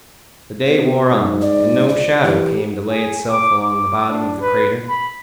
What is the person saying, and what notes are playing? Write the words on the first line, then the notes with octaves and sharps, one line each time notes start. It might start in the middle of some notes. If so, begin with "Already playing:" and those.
The day wore on, and no shadow came to lay itself along the bottom of the crater.
B2 C5
G#2
D5
C#2 D5
E3 G4
G#4
D6
D6
D4
B4
B5